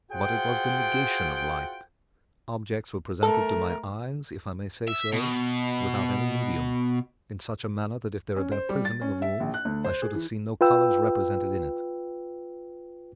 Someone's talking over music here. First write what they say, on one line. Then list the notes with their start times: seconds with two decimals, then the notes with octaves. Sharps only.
But it was the negation of light; objects were presented to my eyes, if I may say so, without any medium, in such a manner that if there had been a prism in the room I should have seen no colours represented in it.
0.12 F4 F#4 G#4 C5 F#5 G5
3.23 A3 A4 A#4
4.88 E5
5.12 B2
8.36 C#4
8.52 C5
8.69 G3
8.85 A6
9.01 C#4
9.22 E5
9.40 A#1
9.54 F#6
9.65 D2
9.84 C5
10.02 G#4
10.15 E3
10.61 F4 B4 G5 E6